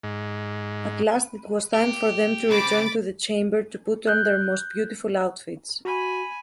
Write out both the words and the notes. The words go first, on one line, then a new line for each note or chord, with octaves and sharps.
At last it was time for them to return to the chamber to put on their most beautiful outfits.
G#2
G4
C#3 C4 B5 D6 A6
F#6 G6
F#4 G#5 B5